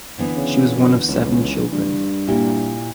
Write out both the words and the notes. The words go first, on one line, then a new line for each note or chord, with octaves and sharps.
She was one of seven children.
D3 E3 B3
C#3
F#2
C#2
G2
A#2 E4 G4